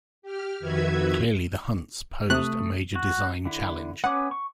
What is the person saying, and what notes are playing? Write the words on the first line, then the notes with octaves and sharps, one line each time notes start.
Clearly the Hunts posed a major design challenge.
G4 F6
F2 D#3 F#4 B4 E5 G#6
C3 A3 D#6 F#6
F#4
D3 E4
B3 C#4 F#5 D6
C#6